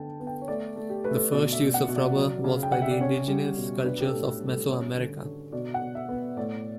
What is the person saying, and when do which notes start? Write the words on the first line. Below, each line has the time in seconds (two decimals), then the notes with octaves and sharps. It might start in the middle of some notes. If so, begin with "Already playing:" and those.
The first use of rubber was by the indigenous cultures of Mesoamerica.
Already playing: D3 B3 G5 A5
0.20 B3
0.27 G5
0.42 C#5
0.48 A3 D5
0.76 A3
0.90 G4
1.04 A3 B4
1.11 A4
1.32 B2 D5
1.53 E5
1.61 B2
1.74 F#5
1.89 B2
1.96 D5
2.16 F#3
2.44 C#3
2.63 G5
2.72 C#3 F#5
2.82 E5
2.91 D5
3.01 C#4 C#5
3.28 G3
3.57 B2
3.84 D4 B4
4.00 G4
4.06 A4
4.13 A2
4.27 G4
4.41 G3
4.48 A4
4.69 C#4 C#5
4.97 D3
5.25 D3
5.52 B2 D5
5.74 F#5
5.81 B2
5.95 E5
6.09 B3
6.37 A2 D5